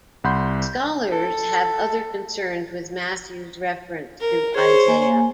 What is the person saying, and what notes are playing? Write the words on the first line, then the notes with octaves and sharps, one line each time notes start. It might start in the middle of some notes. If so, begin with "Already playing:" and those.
Scholars have other concerns with Matthew's reference to Isaiah.
C2 F#5 B5 C6 G6
A4
A#4
G#4 C5 C#5
A#3 G#5